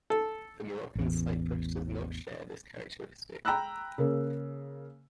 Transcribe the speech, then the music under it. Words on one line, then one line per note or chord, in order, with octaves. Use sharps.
The Moroccan cypress does not share this characteristic.
A4
A1 E2
G5 A#5 B5 E6 F#6
C#3 A#3